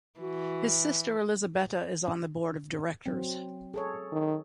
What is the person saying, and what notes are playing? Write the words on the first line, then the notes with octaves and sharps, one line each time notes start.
His sister Elisabetta is on the board of directors.
E3 F#4
F#3 C4
G#4 A4 C#5
D#3